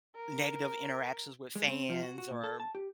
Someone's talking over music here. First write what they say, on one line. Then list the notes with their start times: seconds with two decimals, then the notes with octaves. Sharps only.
negative interactions with fans or,
0.16 A#4
1.56 G#3
1.68 C4
1.90 F3
2.03 F#4
2.18 F#4
2.31 A#2
2.44 A4
2.60 A5
2.75 G4